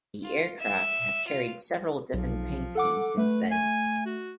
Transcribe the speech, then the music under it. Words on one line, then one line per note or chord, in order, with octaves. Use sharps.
The aircraft has carried several different paint schemes since then.
F4
E5
F4
B1 F3
A4 F#5 D6
A3 B4
G#5
F#4